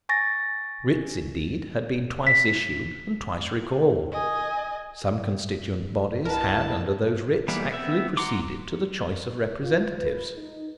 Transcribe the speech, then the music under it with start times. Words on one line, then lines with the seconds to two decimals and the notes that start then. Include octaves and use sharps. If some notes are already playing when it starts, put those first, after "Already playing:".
Writs, indeed, had been twice issued, and twice recalled. Some constituent bodies had, under those writs, actually proceeded to the choice of representatives.
0.09 G#5 C#6 A6 A#6
2.27 B6
4.12 D#5 G#5
6.25 C2 E4 A#4 B4 D#5 F#5 A5
7.48 E3 G3 A#3 B3 E4
7.72 B3 C4 E5
8.17 F#5 A#5 C6 D6
9.64 F4
10.01 B4
10.36 D#4